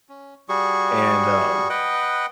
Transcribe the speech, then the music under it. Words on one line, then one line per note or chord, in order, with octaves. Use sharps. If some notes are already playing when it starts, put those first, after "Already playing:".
and, um,
C#4
G3 F#4 G#4 C#6
B4 D#5 F#5 G5